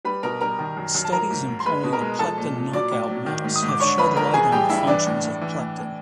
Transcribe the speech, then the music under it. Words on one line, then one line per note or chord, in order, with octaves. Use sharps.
Studies employing a plectin knockout mouse have shed light on the functions of plectin.
G3 B4 B5
B2 A#4 A#5
G3 A#4 A#5
D#3
F#2
F#2
A5
F3 A#4 A#5
G#2
G#2
C6
G#3 B4 B5
B2
A#4 A#5
G#3
F3 A4 A5
A#2
A#2
F#3 D5 D6
A2
F#3
D#3
G#2
D#6
G#2
D6
D3 C#5 C#6
F2 B4 B5
F2 A#4 A#5
E3 G#4 G#5
G2 G4 G5
G2 E4 E5
E3 D4 D5
A2
A2
E3
A2
A2